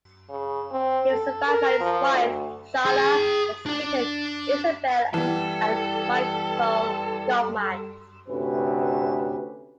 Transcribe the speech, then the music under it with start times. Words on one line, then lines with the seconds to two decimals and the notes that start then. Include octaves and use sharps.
He was survived by his wife, Sharla, and his children, Isabel and Michael Kaufman.
0.30 C#3
0.72 C4
1.10 A4
1.48 A#4
1.80 F3
2.12 D2
2.86 G#4 A5
3.66 D4 D5
5.14 E3 G3 B3 A4
8.28 D2 C3 C#4 B4